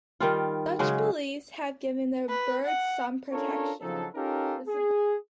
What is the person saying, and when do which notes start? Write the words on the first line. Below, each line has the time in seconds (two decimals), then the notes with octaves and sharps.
Such beliefs have given the bird some protection.
0.20 D#3 G3 F4
0.79 C#3 F#3 G#3
2.29 B4
2.64 F#5
3.32 C#4 D4 F4 A4 A#4 C#5
3.81 C#3 F3 F#3 D#4 A4
4.15 C#4 D#4 F4 G4 A4 A#4
4.67 G#4